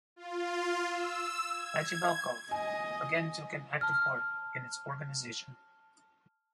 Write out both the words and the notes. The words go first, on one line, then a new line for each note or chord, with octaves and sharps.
Hadjivalkov again took an active part in its organization.
F4
E6
G#6
D#5 G#5
A5 F6